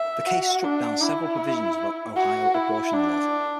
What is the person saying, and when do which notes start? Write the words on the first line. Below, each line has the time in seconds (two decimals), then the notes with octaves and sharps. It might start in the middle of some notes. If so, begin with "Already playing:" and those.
The case struck down several provisions of an Ohio abortion law.
Already playing: E5
0.26 F#4
0.64 D4
1.03 E4
2.17 F#4
2.55 E4
2.93 D4